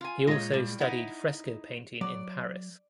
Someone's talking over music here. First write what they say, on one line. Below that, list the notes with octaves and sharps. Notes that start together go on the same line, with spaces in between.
He also studied fresco painting in Paris.
F4 G#5
A#2 G#3 F4 C#5 D#5
A2 G3
D#4 E4 F#5
F#3 D5